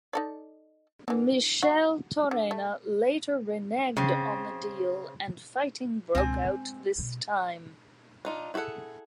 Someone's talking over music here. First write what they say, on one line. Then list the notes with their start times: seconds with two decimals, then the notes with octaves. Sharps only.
Micheltorena later reneged on the deal and fighting broke out this time.
0.13 D#4 A4 D5
1.08 D3 E3
1.63 F#4
2.31 D3
2.51 A3
3.97 C#3 C4
6.15 C#2 B2 C4 G#5
6.46 G#3
6.98 B2 G3
8.25 D4 D#4 F4
8.54 E4 F#4 G#4 A4 F#5